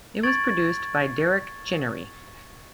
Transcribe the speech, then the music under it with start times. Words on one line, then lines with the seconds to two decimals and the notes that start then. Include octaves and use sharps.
It was produced by Derek Chinnery.
0.23 C#6 G#6 A6 D7 F#7